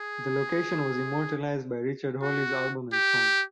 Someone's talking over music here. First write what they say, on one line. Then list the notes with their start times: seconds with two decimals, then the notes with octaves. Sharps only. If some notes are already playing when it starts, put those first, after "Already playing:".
The location was immortalised by Richard Hawley's album and song.
Already playing: G#4
2.22 F#4
2.93 G4